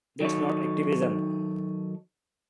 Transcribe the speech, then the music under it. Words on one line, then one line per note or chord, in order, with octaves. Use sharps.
That's not activism.
D#3 F#3 D#4 A4 C#5